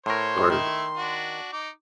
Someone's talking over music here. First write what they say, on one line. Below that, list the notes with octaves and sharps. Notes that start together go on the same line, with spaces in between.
are g
A2 A#4 C5 C#5 C6
D#3 A3 E4
D4 F#4
D#4 D6